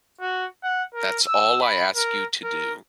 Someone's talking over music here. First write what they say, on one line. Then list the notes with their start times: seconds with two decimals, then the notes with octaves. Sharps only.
That's all I ask you to do.
0.21 F#4
0.63 F#5
0.94 A#4
1.26 E6
1.61 B5
1.96 A#4
2.44 A#4